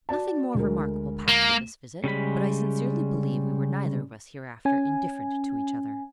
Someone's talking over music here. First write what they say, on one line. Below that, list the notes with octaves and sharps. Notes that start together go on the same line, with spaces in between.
Nothing more remarkable passed at this visit; but I sincerely believe we were neither of us hereafter indifferent to each other.
F#4 D5 A5
D2 G#3 A#4
A#3
C#3 G3 G#3 B5
C#4 G#5